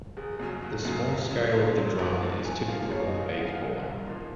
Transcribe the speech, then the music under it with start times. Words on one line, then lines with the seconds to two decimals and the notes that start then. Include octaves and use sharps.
The small scale of the drama is typical of Ayckbourn.
0.17 F#1 G#4
0.40 F#2 C#3 F#3 C#4
0.63 F#1
0.85 F#2 C#3 F#3 C#4
1.08 C#2
1.31 C#3 F#3
1.54 C#2 C5
1.77 C#3 F#3
1.99 A#1
2.22 G#2 F3 A#3
2.45 A#1 G#5
2.68 G#2 F3 A#3 F5
2.91 F#2 C#5
3.06 D#5
3.14 C#3 G#3
3.21 F5
3.36 F#2 F#5
3.44 F5
3.52 F#5
3.59 C#3 G#3
3.83 C2
4.05 A#2 F3 A#3 D#4